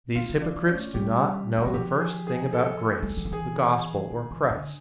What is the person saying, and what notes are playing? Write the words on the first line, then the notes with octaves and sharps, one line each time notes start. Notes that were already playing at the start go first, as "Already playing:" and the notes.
These hypocrites do not know the first thing about grace, the Gospel, or Christ.
D3 F4
D#3
E3
D4
F3
C#4
A3
G3 G4
G3
F#3 F#4
F3 G4
G#4
G#4
A4
G#3
G3
F#3
F3
E3 G#4
D#3
E3
D3